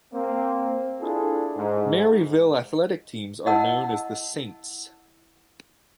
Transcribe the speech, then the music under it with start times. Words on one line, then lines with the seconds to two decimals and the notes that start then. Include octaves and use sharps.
Maryville athletic teams are known as the "Saints".
0.13 A#3 C4
1.01 D4 E4 F4 G#4 A4
1.57 G#2
3.46 E4 D#5 F#5 A5 E6